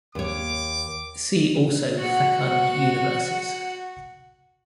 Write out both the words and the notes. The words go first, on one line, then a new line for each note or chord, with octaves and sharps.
See also Fecund universes.
D#2 C#5 D6
F#4 F#5